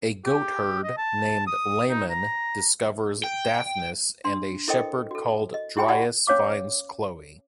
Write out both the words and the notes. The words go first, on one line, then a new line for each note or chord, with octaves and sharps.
A goatherd named Lamon discovers Daphnis, and a shepherd called Dryas finds Chloe.
G4
D#5
A5
D#6
D#4
A#5
G5
D4 C6
E4 A4 A#4 C5 D#5 G5
F#4 A4
D#5
E4 F#4 G4 G5 G#5 B5
E4 F#4 G4 D5 F#5 A5
C#4 C#5 F5 D6